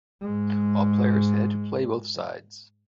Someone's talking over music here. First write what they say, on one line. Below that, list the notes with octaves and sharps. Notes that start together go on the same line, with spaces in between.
All players had to play both sides.
G#2 G#3